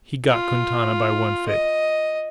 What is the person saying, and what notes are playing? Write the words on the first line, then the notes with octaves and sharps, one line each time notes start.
He got Quintana by one foot.
F4
D#5